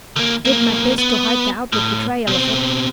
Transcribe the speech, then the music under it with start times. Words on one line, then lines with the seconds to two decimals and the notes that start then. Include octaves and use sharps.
I did my best to hide the outward betrayal of it.
0.16 D3 A#3
0.45 B1 A#3
0.98 B3
1.72 A2
2.27 B2 C4